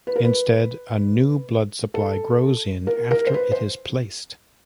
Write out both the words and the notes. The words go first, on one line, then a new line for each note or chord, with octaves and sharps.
Instead, a new blood supply grows in after it is placed.
B4
A#4
B4
A4
A#4
A#4
C5
B4
C5